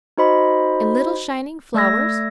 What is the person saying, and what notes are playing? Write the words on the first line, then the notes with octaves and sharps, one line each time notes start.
"And little shining flowers?"
D#4 F#4 C5 D#5 B5
A3 D5 E6 G#6 A#6